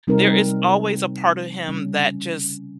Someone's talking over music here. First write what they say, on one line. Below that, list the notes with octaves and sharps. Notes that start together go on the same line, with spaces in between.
there is always a part of him that just
C3 G3 C4 D#4 A#4
C#3 G3 C#4